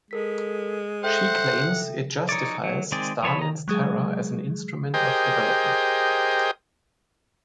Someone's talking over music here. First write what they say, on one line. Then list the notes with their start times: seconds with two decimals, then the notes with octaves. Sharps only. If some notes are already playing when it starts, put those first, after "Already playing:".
She claims it justifies Stalin's terror as an instrument of development.
0.11 G#3 A4 A#4 B6
1.04 A4 C5 E5 F#5 G5
2.29 D#4 C#5 D5
2.64 F#3
2.92 D#3 G#3 C4 G#4 D5
3.23 E3 F3 C#5 A5 B5
3.39 D#5 A#5
3.68 F#3 G#3 G#4
4.94 G4 G#4 A#4 C5 D#5 G5